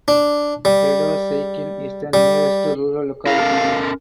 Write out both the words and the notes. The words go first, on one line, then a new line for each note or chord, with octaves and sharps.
Fedoseykin is the nearest rural locality.
D4
G3
G3
E4 A#4 F5
C#4 A4 A#4